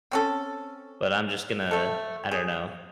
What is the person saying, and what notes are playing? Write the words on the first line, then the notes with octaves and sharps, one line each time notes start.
but I'm just gonna, I don't know
C4 C#4 A4
A3 A4
G#4